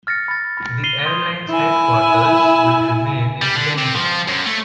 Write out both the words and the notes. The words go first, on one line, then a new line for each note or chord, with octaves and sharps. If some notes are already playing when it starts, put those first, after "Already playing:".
The airline's headquarters will remain in Denver.
F6 A6 A#6 C#7
B5 A6
B5 A6
C7 D#7 F7 G7
C6 D#6 G6 G#6
E4 G#5
G3
D3
C3
F3
F#2
A3